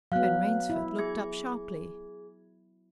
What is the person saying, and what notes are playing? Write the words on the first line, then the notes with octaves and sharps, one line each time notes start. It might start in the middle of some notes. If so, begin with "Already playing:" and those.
Ben Rainsford looked up sharply.
F#3 B3 F5 F#6
E4
G#4 G#6